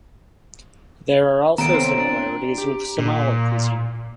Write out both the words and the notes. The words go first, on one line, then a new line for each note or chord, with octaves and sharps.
There are also similarities with Somali cuisine.
D#2 B3 A4 C#5 A#5 D7
C4
D4
G4
A#2